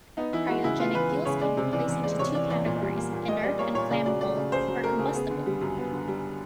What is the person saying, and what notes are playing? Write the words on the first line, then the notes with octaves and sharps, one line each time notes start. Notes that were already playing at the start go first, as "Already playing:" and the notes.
Cryogenic fuels can be placed into two categories: inert and flammable or combustible.
B3 D#4
E3 E4
G#3 F#4
C#3 E4
B3 F4
E3 B4
G#3
C#3 C#5
G#3 D5
C3
E3 D5
E2
G#3 D5
C3 C#5
E3 D5
E2 D5
A#2
G3
A#3
A#2
A#2 D#5
G3 D5
A#3 C#5
A#2 C#5
C#3 D5
F#3 D5
A3 D5
C#3
C#3 C5
F#3
A3 A#4
C#3
B3 G#4
D3
G3
F#2
B3
D3
G3